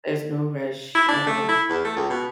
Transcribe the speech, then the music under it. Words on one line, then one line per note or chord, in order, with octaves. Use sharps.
There's no rush, at all.
E4
D4
A3
E4
E2
A3
C#2
B2